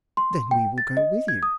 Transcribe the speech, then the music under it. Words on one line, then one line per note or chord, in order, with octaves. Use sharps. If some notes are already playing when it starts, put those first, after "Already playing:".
"Then we will go with you."
C6
G5
A6
D#5
G#6
D#6